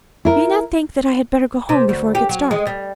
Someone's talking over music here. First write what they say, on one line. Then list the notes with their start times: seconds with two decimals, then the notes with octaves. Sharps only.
"Do you not think that I had better go home before it gets dark?"
0.25 E4 A#4
1.69 C3
1.89 D2
2.15 G4
2.29 F#3
2.51 G#3
2.67 G3